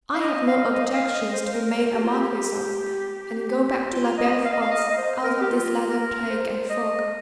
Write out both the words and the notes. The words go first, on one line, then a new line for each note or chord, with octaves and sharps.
I have no objections to be made a marquis of, and go back to la belle France, out of this land of plague and fog.
F5
D#5
F5
C5
D#5
F5
D#5
C5
C5
A#4
G4
F4
G4
F4
D#5
F5
D#5
F5
D#5
D#5
C5
A#4
G4
F4
A#4
C5
D#5